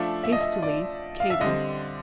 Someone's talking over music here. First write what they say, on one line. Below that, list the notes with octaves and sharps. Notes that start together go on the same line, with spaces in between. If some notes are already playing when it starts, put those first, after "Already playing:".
Hastily, KATY.
Already playing: F3 A3 D4 F4 E5
E5
D#5
E5
D5
F5
E5
D3 G3 C4 D#5